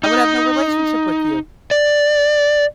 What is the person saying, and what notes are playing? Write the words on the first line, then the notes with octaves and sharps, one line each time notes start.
I would have no relationship with you,
D#4
D5